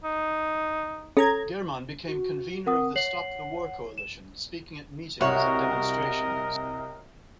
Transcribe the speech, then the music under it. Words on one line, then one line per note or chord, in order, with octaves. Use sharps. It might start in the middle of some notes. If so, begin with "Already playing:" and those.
German became convenor of the Stop the War Coalition, speaking at meetings and demonstrations.
D#4
C#4 A4 A#5 G#6
F#4
C4 A#4 F#5 D#6
C#5 F#5 C7 F#7
E7
C2 C3 F#4 A#4 C#5 D#5